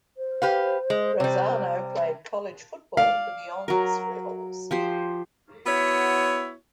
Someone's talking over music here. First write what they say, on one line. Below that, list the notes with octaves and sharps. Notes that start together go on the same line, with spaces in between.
Razzano played college football for the Ole Miss Rebels.
C5
G4 B4 F5
G#3
C3 G3
D5 F5
F#3 A#4
F3 G4 C5
B3 E4 F#4 C#5